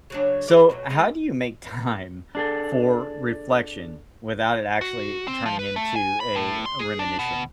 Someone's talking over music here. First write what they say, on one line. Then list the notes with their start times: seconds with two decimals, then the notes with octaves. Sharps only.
So how do you make time for reflection without it actually turning into a rumination?
0.10 C#3 F#3 D4
0.48 G#4 A#4 D5
0.69 F2 B2 F#3
0.90 G#3 D#4
2.35 D4 G#4 A4
4.81 F#4
5.28 C4
5.46 F3
5.59 B4
5.76 A3
5.96 G#5
6.20 B5
6.36 A2
6.66 C6
6.79 G#4
6.99 D4
7.19 B2